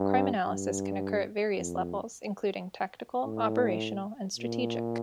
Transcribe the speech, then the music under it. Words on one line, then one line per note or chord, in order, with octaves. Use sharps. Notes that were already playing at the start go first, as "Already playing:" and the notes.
Crime analysis can occur at various levels, including tactical, operational, and strategic.
Already playing: G2
G2
F2
A2
A#2